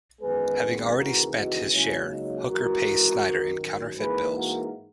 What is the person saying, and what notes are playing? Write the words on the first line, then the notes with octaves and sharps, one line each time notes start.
Having already spent his share, Hooker pays Snyder in counterfeit bills.
F#2 D#3 G#3 B3 G#4 B4
D#2 C#3 E3 F#4 A#4
D#4 F#4
C#2 C#3 F#3 A#3 C#4 E4
D#4
G#1 G#2 E3 F#4 A#4
G#1 F#2 D#3
G#2 E3 A#3 G#4 B4
F#4 A#4